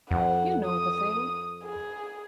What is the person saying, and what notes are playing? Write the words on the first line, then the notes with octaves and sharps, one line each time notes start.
You know the thing.
F2 F#5
D#6
G#4